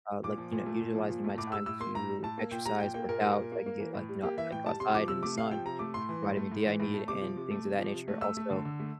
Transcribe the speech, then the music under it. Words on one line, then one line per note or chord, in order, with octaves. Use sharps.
uh like, you know, utilizing my time to exercise, work out, so I can get, like, you know, I go outside in the sun, get the vitamin D I need, and things of that nature, also,
A#2 D6
F3
A#2
A3
A#2
F3
A#2
A3
A2 D6
G3 E6
A2 E6
A#3 C6
A2 A#5
G3
A2 A5
A#3
A#2 G5
G3 A#5
A#2 G5
A#3 G5
A#2 A#4
G3
A#2
A#3
A#3
E3
A2
G3
A#3 G4
E3 E5
A2 G5
G3 A5
C3 C6
F3 D6
C3 E6
A3 D6
C3 F5
F3 G5
C3 A#5
A3 D6
A2 C6
E3
A2
A3
A2
E3
A2
A3
C3 D6
F3
C3
A3
C3
F3
C3
A3
A3 E6
A3
D3
D3
A3